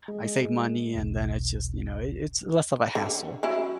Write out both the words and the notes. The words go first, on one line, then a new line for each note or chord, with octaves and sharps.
I save money and then it's just, you know, it it's less of a hassle,
G#3
E1 B1
D3
F#3 C#4 E4